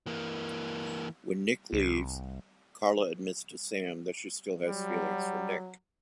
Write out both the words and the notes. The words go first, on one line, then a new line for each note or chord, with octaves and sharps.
When Nick leaves, Carla admits to Sam that she still has feelings for Nick.
E3 A#3
C2
F#3 G3